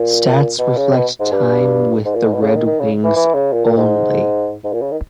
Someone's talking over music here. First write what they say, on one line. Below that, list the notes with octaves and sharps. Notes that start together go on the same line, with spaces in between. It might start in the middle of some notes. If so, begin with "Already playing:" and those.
Stats reflect time with the Red Wings only.
Already playing: A#2
B2
C#3
B2
G#2
G2
G#2
A#2
G#2
B2
C#3
D#3
D#3
C#3
E3
E3
C#3
A#2
A#2
G#2
G#2
A#2
C#3
D#3